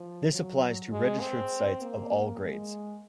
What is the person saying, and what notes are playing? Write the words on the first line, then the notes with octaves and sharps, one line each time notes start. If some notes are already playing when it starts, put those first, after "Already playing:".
This applies to registered sites of all grades.
Already playing: F3
F#3
G#3
C4
A#3
G#3